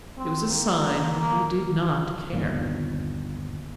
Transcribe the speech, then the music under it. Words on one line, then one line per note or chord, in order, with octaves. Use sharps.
It was a sign that he did not care.
C4
A#3
A#3
G1 D#2 A#2